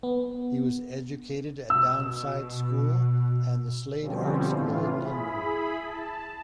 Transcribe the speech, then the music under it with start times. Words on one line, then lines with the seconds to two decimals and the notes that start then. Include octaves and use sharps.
He was educated at Downside School, and the Slade Art School in London.
0.03 B3
1.70 B2 E6
4.02 B2 D3 F3 G3 C4 C#4
4.48 A2 E3 F4
5.02 E4 G#4 B5
5.84 A5